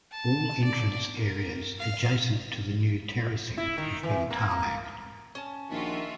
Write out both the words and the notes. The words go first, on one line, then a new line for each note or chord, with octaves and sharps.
All entrance areas adjacent to the new terracing have been tarmacked.
A5
D5
A#4
F5
E4
D#3
E3
A#3
C#4 A5
A#1 D#3 F4 F#4 E5